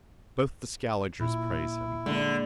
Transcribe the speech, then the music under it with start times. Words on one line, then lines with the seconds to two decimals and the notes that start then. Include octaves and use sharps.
Both the Scaligers praise him.'
1.20 A#2 E4
2.06 D3 G#3 A#3